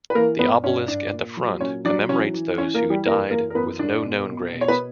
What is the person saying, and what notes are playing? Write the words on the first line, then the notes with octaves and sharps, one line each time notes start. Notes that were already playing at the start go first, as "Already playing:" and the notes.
The obelisk at the front commemorates those who died with no known graves.
B4
E3 A#3 A#4
G2 B3 B4
G2 C#4 C#5
G2 D4 D5
A#2
F#3
A#2 C#4 C#5
F#3 D4 D5
E3 C#4 C#5
E3
E3 C#4 C#5
A#3 A#4
E3
G3 G4
F#2 A#3 A#4
E3 A#3 A#4
A#4
F#2 B3 B4
F#2 D4 D5
B2
B2
B2
C#5
B3 B4